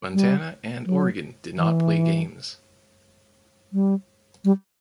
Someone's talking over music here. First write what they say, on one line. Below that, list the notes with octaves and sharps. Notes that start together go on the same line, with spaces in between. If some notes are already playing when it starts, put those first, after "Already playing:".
Montana and Oregon did not play games.
G3
F#3
E3
G3
G3